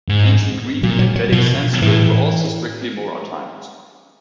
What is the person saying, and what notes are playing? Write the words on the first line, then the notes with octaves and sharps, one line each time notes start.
Ancient Greek and Vedic Sanskrit were also strictly mora-timed.
G#2
A#2 F#3
F#3
F#3
B2 F3
A2 E3